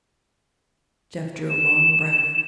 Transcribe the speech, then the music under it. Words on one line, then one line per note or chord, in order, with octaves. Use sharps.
Jeff drew a long breath.
E7